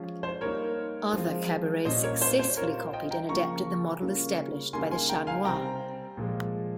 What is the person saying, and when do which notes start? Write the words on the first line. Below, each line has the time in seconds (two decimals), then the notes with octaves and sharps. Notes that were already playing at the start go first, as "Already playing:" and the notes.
Other cabarets successfully copied and adapted the model established by the Chat Noir.
Already playing: F3 G#3 C#4 F4
0.23 C5
0.41 G3 A#3 D#4 A#4 C#5
1.13 F3 G#3 C4 F4
1.85 A#2 G3 C#4 F4 C5 D#5
2.03 A#4 C#5
2.22 C5
2.39 C5
2.57 G3 C4 F4 A#4 C#5
2.93 D#5 G5
3.11 G5 A#5
3.29 C#3 F3 A#3 F4 A#5 C#6
4.02 C#3 G3 A#3 C#4 F4
4.73 C#3 G3 A#3 D#4 G#5 C6
4.91 G#5 C6
5.09 G5 A#5
5.27 F5 G#5
5.45 C3 G3 C4 G5 A#5
6.17 A#2 F3 G#3